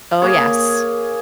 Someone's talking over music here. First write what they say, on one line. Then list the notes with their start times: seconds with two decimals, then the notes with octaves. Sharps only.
Oh yes.
0.22 A#3 G#4 C#5